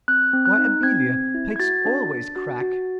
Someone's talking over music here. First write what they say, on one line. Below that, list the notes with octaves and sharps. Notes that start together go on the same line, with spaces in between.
"Why, Amelia, plaits always crack!"
C4 F#6
C4
F#6
D#4
C4 G#6
C4
E4
G#6
F#4 A6
D4
D4
F#4
F#4